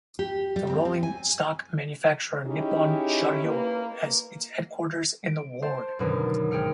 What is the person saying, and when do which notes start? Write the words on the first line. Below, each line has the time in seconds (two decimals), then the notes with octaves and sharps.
The rolling stock manufacturer Nippon Sharyo has its headquarters in the ward.
0.19 G4
0.56 G3
0.70 C4
0.85 C4
1.03 G#5
2.46 C#4 D#4 E4 G4 G#4 D#5
3.44 A#3 B4
5.26 D7
5.62 C5 A5
5.99 F#2 B2 D3 D#3
6.51 G#1 G#4 G5 F6 C#7